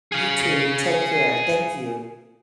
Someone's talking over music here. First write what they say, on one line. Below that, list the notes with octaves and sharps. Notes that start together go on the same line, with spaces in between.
You too. Take care. Thank you.
G#4 F5